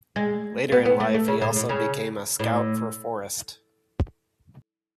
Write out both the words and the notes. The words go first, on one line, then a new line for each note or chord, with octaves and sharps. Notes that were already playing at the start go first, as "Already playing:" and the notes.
Later in life, he also became a scout for Forest.
G#3
B3
B3
A3
A3
C#3
A2
A2
C#3
A2